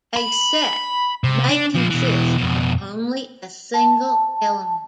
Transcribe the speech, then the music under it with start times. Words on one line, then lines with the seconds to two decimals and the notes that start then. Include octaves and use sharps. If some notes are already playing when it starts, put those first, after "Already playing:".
A set may consist of only a single element.
0.17 B5
1.24 C3
1.49 D4
1.75 A#2 F3
1.90 B2 E3
2.37 F2 B2
3.74 A5